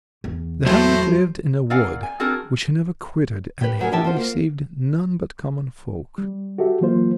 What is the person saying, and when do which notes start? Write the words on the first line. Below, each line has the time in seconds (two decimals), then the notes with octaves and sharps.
The hermit lived in a wood which he never quitted, and he received none but common folk.
0.24 E2
0.66 A2 F#3 A3 C5
1.70 C4 A#4 D5 F5 F#5 G#5
2.03 G#5
2.20 C4 D4 F#4 G#4 A#4 D5
3.61 G4 B4
3.79 A2 F#3 A#4 G#5
3.92 F#2 D#3 B3 G4 E5 A5
4.04 F4 F#4 C5
4.16 A#3
6.18 G3
6.58 F#4 G4 A4 E5
6.81 E3 F#3 A#3 F4 C5